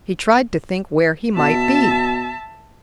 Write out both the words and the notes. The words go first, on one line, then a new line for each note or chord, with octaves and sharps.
He tried to think where he might be.
B2 E5 A5